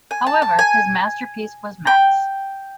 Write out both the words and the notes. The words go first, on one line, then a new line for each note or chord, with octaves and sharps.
However his masterpiece was Max.
G#5
A5
A5
G#5
G5